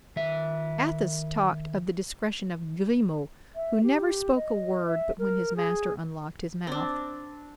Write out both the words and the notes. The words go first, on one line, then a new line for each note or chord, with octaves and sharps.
Athos talked of the discretion of Grimaud, who never spoke a word but when his master unlocked his mouth.
D#3 E5
E5
G4
D#5
E5
A#4
G#4
C4 D4